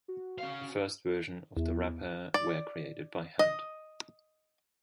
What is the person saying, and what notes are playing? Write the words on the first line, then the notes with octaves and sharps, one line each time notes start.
The first versions of the wrapper were created by hand.
F#4
C#4 F5
E2
D5
D#5